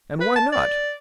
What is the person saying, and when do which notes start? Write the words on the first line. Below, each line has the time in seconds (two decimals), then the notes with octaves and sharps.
"And why not?"
0.21 B4
0.36 A5
0.52 D5